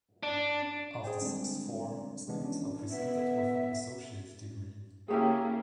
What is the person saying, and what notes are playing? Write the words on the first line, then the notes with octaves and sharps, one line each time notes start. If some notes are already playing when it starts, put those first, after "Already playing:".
After sixth form, students are presented with an Associate Degree.
D4
G#4 C5 G5 G#5
D3 G3 G#3 C4 D4
C3 E3 G#3 B3 D4
E3 C#4 D4
B3 E5
C#3 A#3 C#4 E4 G4 G#4